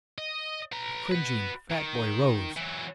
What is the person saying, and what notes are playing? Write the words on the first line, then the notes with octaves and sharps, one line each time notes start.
The cringing fat boy rose.
D#5
B4 A#5
F#4 B4
D#3
E3 F#3